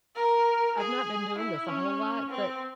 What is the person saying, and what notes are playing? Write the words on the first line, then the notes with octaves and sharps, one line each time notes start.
I've not been doing this a whole lot, but
A#4
G#4
E4
C#4
C4